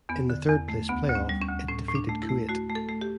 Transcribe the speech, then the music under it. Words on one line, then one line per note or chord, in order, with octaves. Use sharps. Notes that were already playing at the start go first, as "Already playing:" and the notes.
In the third place playoff, it defeated Kuwait.
E2 B3
D3
E2
A3
D2 B3
D2
C#4
G3
C#4
D2
A2 C#4
A2
D4
A3
E4
A3
A3 F#4
A3
A4
A3
G4